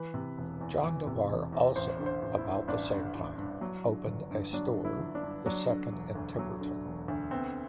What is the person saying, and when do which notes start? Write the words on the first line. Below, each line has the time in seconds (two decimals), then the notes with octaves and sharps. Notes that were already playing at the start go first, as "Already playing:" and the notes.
John Dewar, also, about the same time, opened a store, the second in Tiverton.
Already playing: E3 B4
0.14 C3
0.38 E1
0.61 E2
0.84 E3
1.07 C3
1.29 E1
1.53 E2
1.76 A1 C5
1.99 D3
2.06 C5
2.22 A1
2.38 E4
2.45 G2
2.68 A1 D4
2.91 D3
3.15 A1
3.38 G2
3.61 F#3
3.84 D3
4.07 G1
4.31 G2
4.53 F#3 D4
4.76 D3
4.85 E4
5.00 G1
5.15 D4
5.23 G2
5.46 F#3 D4
5.69 D3
5.93 E1
6.15 D2
6.39 F#3
6.61 D3
6.85 E1
7.08 D2
7.31 B3 C4